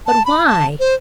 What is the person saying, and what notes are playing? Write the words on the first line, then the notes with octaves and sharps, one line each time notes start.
But why?
A5
B5
A5
C5